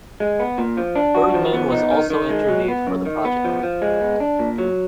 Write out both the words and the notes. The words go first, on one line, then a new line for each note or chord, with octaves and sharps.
Bergman was also interviewed for the project.
G#3
B3
A#2
F3
D4
F#4
F3
B3
D#4
D#3
D#3
G#3
F#3
B3
F#2
D#3
B3
F3
F3
G#3
B3
D4
A#2
F#3